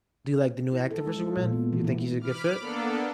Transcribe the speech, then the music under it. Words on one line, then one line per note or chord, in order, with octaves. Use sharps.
Do you like the new actor for Superman? You think he's a good fit?
E4
A4
G#3
F4
A#2
B3
E3
E4
B5 D6 F6
A#3 B3 D4 A4